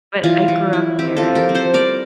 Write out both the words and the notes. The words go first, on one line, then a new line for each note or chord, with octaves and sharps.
but I grew up there, and
E3 F4
E3
E4
C4 G4
F4 A4
C4
G4 A#4
C4
A4 C5
G3 A#4 D5